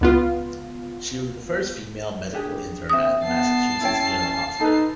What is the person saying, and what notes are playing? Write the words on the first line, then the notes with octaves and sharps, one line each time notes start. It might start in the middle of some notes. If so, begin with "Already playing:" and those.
She was the first female medical intern at Massachusetts General Hospital.
C#2 B3 F4
D4 G4 G#4
C4 E5 D#6
B3 A5 C7
C#4 E4 C#5 G5
D#4 A4 B4